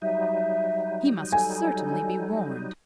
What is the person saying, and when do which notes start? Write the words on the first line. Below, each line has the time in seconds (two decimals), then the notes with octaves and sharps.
He must certainly be warned.
0.02 F#3 G3 D#4 E5
1.32 A4 G#5